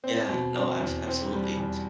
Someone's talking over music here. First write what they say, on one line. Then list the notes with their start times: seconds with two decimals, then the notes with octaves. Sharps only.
Yeah, no, abs absolutely,
0.04 C4
0.29 B2
0.55 C4
0.80 E2
1.06 C4
1.32 G3
1.57 E2